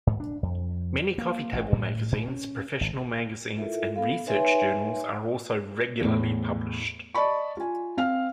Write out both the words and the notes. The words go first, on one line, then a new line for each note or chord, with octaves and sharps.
Many coffee table magazines, professional magazines and research journals are also regularly published.
G#2
D4
F2
A#3
A1
A2
A#2
C#4
G#1
E4 F4 A4 A#4 E5
B3 A4 F5
D#4 B4 C#5 E5 G#5 C6
E2 A2
D5 D#5 A5 B5 C#6
F4 G#5
C4 F5 F6